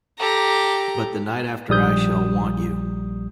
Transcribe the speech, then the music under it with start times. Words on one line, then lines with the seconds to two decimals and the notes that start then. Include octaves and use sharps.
But the night after I shall want you.
0.20 G4 A4 A#5
1.69 A#1 G3 D#6 G6